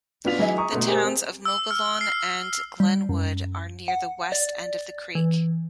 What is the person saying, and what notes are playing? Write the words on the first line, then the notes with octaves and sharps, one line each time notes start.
The towns of Mogollon and Glenwood are near the west end of the creek.
A1 B3 D4 F4 B6 F7
E3 F#3 E4 G#4 D#5
A#5 C#6 D#6
G1 B2 A3
G4 G#4 A#4 C5
C4
E6
F6
C7
G3
F#2
F#5
D5
E3